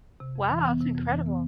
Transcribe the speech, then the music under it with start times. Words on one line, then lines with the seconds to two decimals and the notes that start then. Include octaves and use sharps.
Wow, that's incredible.
0.20 C3
0.36 F2
0.50 E3
0.65 B3
0.80 C3
0.95 F2
1.10 E3
1.26 B3